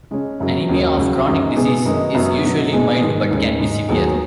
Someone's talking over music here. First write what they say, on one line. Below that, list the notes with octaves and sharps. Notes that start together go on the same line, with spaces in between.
Anemia of chronic disease is usually mild but can be severe.
C#3 G#3 C#4
F#2 C#3 F#3
D#2 C#3 F#3 D#4
C#2 C#3 F#3
F#2 C#3 G#3 D#4
B2 B3 G#4
F#2 D#3 G#3 B3 D#4
F#2 F#3 B3 F#4
B2 F#3 D#4 F#4
B2 G#3 B3 G#4
G#2 D#3 G#3
D#2 C#3 G#3
G#2 G#3 D#4
D#2 D#3 F#3 B3 G#4